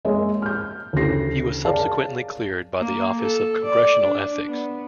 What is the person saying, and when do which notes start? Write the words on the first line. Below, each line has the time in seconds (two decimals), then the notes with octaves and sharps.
He was subsequently cleared by the Office of Congressional Ethics.
0.05 G#3 A#3 G#4 C#5 D#5 E5
0.42 F6 G6
0.93 D2 C#3 E3 G4 A#6 C7
1.65 G#4 A#4 C#5 D5 F5 A5
2.80 A#3
3.17 A4
3.65 D5
4.03 D4
4.48 B3